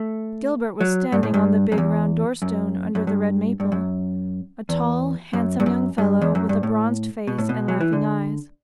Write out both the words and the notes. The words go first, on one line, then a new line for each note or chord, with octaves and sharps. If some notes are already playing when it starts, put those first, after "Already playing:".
Gilbert was standing on the big round door-stone under the red maple--a tall, handsome young fellow with a bronzed face and laughing eyes.
Already playing: A3
F#3
G2
A2
G2
F#2
E2
F#2
F#2
G2
G2
F#2
E2
F#2
G2
F#2
G2
E2
F#2
G2
A2
B2
A2
B2
F#3
E3
D3